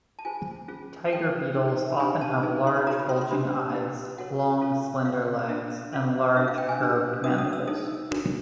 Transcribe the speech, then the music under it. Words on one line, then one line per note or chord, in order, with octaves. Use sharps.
Tiger beetles often have large bulging eyes, long, slender legs and large curved mandibles.
A5
F4 G#4 C5 G#5
C#4 F4 G#4
E4 A4 C#5 G5
D#4 G#4 C#5
D4 G4 C5 G#5
A5
D#4 G#4 B4
C6
B5
F#4 A4 C5 A#5
B5
C6
C6
D4 G4 C5 B5
E4 G4 B4
F#4 A4 C#5 F#5
C#4 F4 A4 C#5
F#4 B4 F5
D4 F4 A#4 E5
C#4 F4 A4 C5
D4 F4 A#4 E5
F5
G5
G#5
D4 G4 C5
D4 F#4 B4 D#6
D#6
E6
D#4 G#4 C#5 D#6
D4 F#4 A#4 C#5